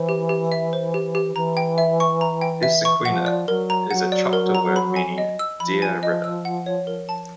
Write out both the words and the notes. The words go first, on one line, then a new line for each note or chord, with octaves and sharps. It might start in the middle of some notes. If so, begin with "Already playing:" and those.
"Issaquena" is a Choctaw word meaning "Deer River".
Already playing: E3 C5
G4
G4
E5
C5
G4
G4
E3 A#5
G5
E5
C#6
A#5
G5
E5
C#6
E3
F3 F#5
D5
F#3 A#4
A#5
F#3 F#5
D5
A#4
A#5
B5
G#5
D#5
E6
F3 B5
G#5
D#5
E6
F#5
C#5
A#4
A5